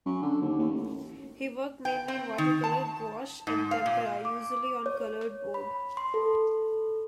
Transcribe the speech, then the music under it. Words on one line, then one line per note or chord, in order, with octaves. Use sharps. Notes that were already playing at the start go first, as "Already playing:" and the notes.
He worked mainly in watercolor, gouache, and tempera, usually on colored board.
F#2
D3
D#2
D#2
A1
G5
C4
D#3
A5
G#2
F5
A#2
D6
C#5
B5
C6
A4